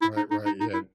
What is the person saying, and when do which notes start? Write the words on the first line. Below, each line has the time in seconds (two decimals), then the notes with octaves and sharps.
Right, right, yeah,
0.02 E4
0.17 D#4
0.31 D#4
0.46 D#4
0.60 D#4
0.74 E4